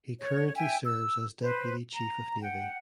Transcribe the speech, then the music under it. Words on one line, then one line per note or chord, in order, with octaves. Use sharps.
He currently serves as Deputy Chief of Navy.
C#5
E5 G5 G#5
E6
B4 C5
A#5
F#5 G5